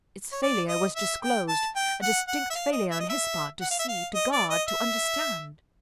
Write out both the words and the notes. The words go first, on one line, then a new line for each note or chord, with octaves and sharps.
Its failure was disclosed--a distinct failure, on his part, to see, to guard, to understand.
C#5
D5
D#5
E5
G5
A5
G5
F#5
F#5
E5
F5
D#5
E5
D#5
E5
F#5
F5
E5
F5
D#5
D5
D#5
E5